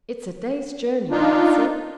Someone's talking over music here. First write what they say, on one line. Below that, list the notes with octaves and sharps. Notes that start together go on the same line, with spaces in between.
"It's a day's journey, Patsy."
D4 D#4 F4